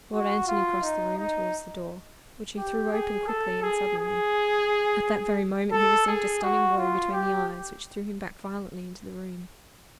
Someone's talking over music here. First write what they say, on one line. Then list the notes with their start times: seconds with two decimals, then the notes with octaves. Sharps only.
Lord Antony crossed the room towards the door, which he threw open quickly and suddenly; at that very moment he received a stunning blow between the eyes, which threw him back violently into the room.
0.13 F#4
0.48 F4
0.82 D#4
1.18 D#4
2.57 G4
2.92 G#4
3.27 A4
3.62 G#4
3.97 G#4
5.72 A4
6.07 G#4
6.43 F#4
6.77 F4
7.12 G4